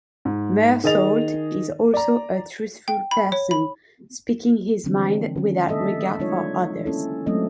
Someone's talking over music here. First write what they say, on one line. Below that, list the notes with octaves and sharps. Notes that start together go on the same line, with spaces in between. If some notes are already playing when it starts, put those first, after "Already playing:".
Meursault is also a truthful person, speaking his mind without regard for others.
G#2
D#3 G#4 D#5 A6 F7
D5 A#5
G5
B5
C#5
B5
D3 E3 F3 G#3 C4 D4
D#3 C#4
A3 A#3 A4 D#5 E5
F#3 G#3 D4 D#4 F4 C#5
A#3 C#4 E4 A4
F#3 G#3 A3 C4 C#4 D#5